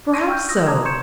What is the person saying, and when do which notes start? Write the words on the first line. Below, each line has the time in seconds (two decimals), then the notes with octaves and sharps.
'Perhaps so.
0.13 C6 C#6 A#6 D#7
0.28 G5 C#6 E6 F6 G6
0.49 D#6 E6 A#6
0.67 A5 A#5 D6 D#6 G#6
0.85 C6 C#6 G6 G#6 C#7 E7